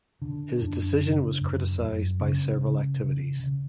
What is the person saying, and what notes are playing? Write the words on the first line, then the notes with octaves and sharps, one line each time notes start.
His decision was criticised by several activities.
D3
F#2 D4
C#3
F#2
F#2
C#3 C#4
C#3
C#3
C#3